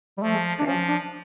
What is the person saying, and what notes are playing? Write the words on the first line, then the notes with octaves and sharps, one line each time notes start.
That's great.
G3
F3 A3
D4
F3 C#4
D4